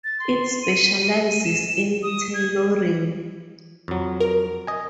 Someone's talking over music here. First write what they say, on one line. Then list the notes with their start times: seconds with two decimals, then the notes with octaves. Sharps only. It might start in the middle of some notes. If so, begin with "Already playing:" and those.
It specialises in tailoring.
0.04 A6
0.20 C6
0.63 D#7
1.31 D#7
1.45 E7
2.03 D#6
2.34 G#6
3.88 F2 F#3
4.20 A#4
4.67 D#5 G#5